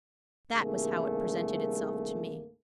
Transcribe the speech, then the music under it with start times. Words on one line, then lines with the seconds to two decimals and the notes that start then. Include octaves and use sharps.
That was how it presented itself to me.
0.53 C2 G2 D#3 A3 A#3 G#4